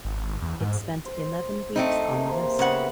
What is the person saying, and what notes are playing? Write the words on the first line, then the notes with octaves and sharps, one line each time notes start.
It spent eleven weeks on the list.
G#1
E2
G#2
C5
A3 C4 D#4
C3 A#3 G#4
C5
C#3 B3 E5 F#5 G5